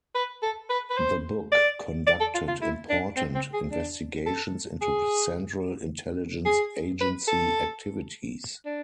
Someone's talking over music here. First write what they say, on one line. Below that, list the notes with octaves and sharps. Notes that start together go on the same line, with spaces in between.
The book conducted important investigations into Central Intelligence Agency activities.
B4
A4
B4
B4
C5
D5
D5
A4
F4
F4
E4
D4
C4
C4
G#4
D4
A4
G#4
G#4
B4
A4
D4